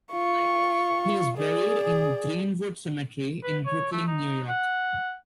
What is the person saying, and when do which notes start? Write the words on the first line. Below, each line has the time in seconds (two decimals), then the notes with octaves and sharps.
He is buried in Green-Wood Cemetery in Brooklyn, New York.
0.12 F4 C#6
1.37 G#4 D5
3.43 B4
3.66 C#5
3.92 A3
4.07 D#4
4.49 F#5